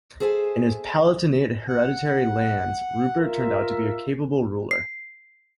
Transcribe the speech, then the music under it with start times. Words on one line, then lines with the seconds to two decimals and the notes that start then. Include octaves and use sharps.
In his Palatinate hereditary lands, Rupert turned out to be a capable ruler.
0.20 G#4 A4 C5 E5 G#5
1.68 F#5
3.18 F4 A#4 E5
4.71 C7